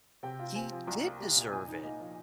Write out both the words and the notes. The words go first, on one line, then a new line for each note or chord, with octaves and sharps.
He did deserve it.
C3 G5
F4
C4 G#5
F3
C2 A#5
A#3
G3
A#2
A#2 G#5
D#4
A#3 D#5
F3